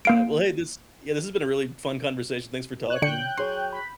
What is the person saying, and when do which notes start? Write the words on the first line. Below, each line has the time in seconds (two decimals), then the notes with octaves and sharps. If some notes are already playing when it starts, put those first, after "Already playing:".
Yeah, well, hey, this Yeah, this has been a really fun conversation, thanks for talking.
0.05 A#3 F5 D7
2.90 C#5 F#6
3.02 D3 D4 G5 F#6 G6 C#7
3.38 F#3 G#4 C#5 C6
3.73 B5